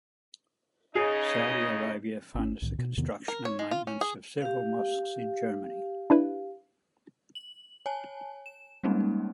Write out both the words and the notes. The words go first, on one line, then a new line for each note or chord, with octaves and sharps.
Saudi Arabia funds the construction and maintenance of several mosques in Germany.
C#3 D#4 G#4 D#5
G#1 C#4
C2 A2 D#3
B2
E2 C3 D#3 B3
A#4
C#5
G#3
F4
C#4
G#4
G4 F5
D4 E4 B4
F#7
C#5 G#5 A5
E7
G3 G#3 A#3 C4 C#4 D#4